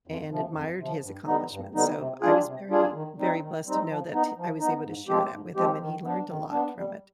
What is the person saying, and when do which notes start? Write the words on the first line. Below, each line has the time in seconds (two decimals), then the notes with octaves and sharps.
and admired his accomplishments, so, I was very very blessed to know that I was able to share that with him, and he learned a lot from it.
0.07 F2
0.31 C3 F3
0.55 F2
0.78 C3 F3
1.02 G2
1.26 D3 G3 B3 D#4
1.51 G2
1.74 D3 G3 B3 D#4
1.98 C3
2.22 G3 D4 F4 G#4
2.46 C3
2.70 G3 D4 F4 G#4
2.93 D#3
3.18 G3 C4 D#4
3.41 D#3
3.66 G3 C4 D#4
3.89 F3
4.13 B3 D#4
4.37 F3
4.60 B3 D#4
4.84 G#2
5.08 F3 G#3 C4 G4
5.31 G#2
5.56 F3 G#3 C4 G4
5.79 D#3
6.03 B3 D4
6.28 D#3
6.51 B3 D4
6.76 G3